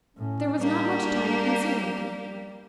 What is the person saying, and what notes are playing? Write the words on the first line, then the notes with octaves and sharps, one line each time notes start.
There was not much time consumed.
A2 C#4
G3 A#3 D4 G4